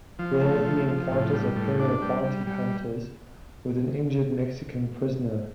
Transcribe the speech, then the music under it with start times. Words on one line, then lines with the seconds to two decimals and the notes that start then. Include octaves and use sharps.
There, he encounters a pair of bounty hunters with an injured Mexican prisoner.
0.19 F3
0.41 A3
0.65 F3
0.88 F3
1.11 A2
1.33 G3
1.56 A2
1.79 D4
2.02 G3
2.24 G3
2.47 G3